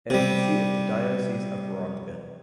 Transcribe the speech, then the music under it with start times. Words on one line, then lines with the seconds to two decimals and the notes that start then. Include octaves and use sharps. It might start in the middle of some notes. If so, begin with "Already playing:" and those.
It is the seat of the Diocese of Borongan.
0.10 C3 G3